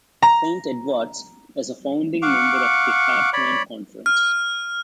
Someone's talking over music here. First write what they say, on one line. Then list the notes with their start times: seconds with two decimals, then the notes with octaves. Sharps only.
Saint Edward's is a founding member of the Heartland Conference.
0.22 A#5
2.22 F5 F#5 C#6 D6
3.33 C#5 D5 B5
4.06 F6